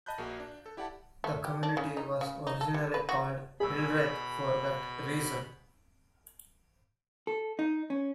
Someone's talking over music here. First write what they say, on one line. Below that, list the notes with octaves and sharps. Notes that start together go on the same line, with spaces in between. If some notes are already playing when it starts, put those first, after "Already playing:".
The community was originally called Hildreth for that reason.
D#5 A5 B5 F#6 G6
A#1 A#3 F#4 G#4
D4
A4
E4 G4 D5 F#5 G5 A5
A3
G4
D4
C#3
D#4
C#3
D#4
A4
G3
B4
F#4
B2 G#4 B5 E6
A4
D#4
C#4